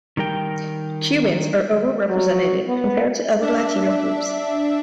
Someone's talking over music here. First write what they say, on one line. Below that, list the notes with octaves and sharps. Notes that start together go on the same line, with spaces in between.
Cubans are overrepresented compared to other Latino groups.
D#3 G3 A#4 G5
F#3
B3
D4 E5